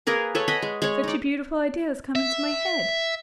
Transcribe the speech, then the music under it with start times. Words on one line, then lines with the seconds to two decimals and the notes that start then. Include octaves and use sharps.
Such a beautiful idea has come into my head!
0.07 A#3 G#4 A#4 B4
0.35 A4 B4 C#5
0.48 D#5 F#5 G#5 B5
0.62 G#3
0.82 G#3 C#5
1.04 D#4 D5
2.15 E5